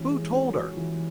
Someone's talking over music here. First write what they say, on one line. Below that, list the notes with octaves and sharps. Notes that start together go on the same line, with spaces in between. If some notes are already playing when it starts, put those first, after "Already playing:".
"Who told her?"
Already playing: E3 G#3 C#4 F#4
G#3
C#4
F#4
E3